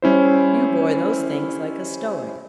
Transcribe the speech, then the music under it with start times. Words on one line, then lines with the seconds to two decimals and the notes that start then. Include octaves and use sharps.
You bore those things like a stoic.
0.02 G3 C#4 E4 C5